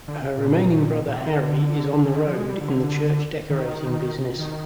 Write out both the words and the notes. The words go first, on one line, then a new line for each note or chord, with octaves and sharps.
Her remaining brother, Harry, is on the road "in the church decorating business".
D3
A#2
A#2
C3
D3
D3
D#3
F3
G#3
G3
D3
D#3
D#3